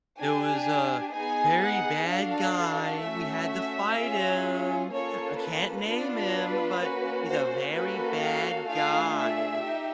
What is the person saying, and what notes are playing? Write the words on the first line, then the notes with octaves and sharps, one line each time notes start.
it was a very bad guy, we had to fight him, I can't name him, but he's a very bad guy,"
D4 G4 G#5
B3 D#4 G#4 G#5
F#5
D4 F#4 A4 F5
A3 C#4 F#4 E5
C#4 F4 G#4
A#3 C#4 F4 A4 C#5
B4
B3 D4 F4
B4
A#3 C#4 F#4
C5
A#3 C#4 F#4 A4 B4
F5
A3 D4 F4 G#4 F5
E5
D#4 G4